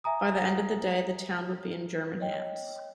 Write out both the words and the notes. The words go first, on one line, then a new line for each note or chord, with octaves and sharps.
By the end of the day, the town would be in German hands.
E5 G#5 A#5 D#6
C#5 D#5 G5